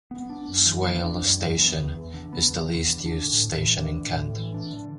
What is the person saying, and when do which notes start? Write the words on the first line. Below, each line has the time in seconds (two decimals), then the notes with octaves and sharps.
Swale Station is the least used station in Kent.
0.11 B3
0.30 D4
0.48 F#2
0.66 E3
0.85 B3
1.04 D4
1.22 F#2
1.40 E3
1.59 B3
1.78 E2
1.96 E2
2.14 D3
2.33 B3
2.50 E2
2.69 E2
2.88 D3
3.06 D4
3.24 A2
3.43 A2
3.62 E3
3.79 D4
3.98 A2
4.16 A2
4.35 E3
4.54 D4
4.72 D3